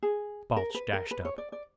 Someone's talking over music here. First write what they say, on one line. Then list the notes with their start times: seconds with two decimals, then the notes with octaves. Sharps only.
Balch dashed up.
0.03 G#4
0.57 A#4
0.75 B4
0.93 A#4
1.11 B4
1.25 C#5
1.38 D5
1.52 D5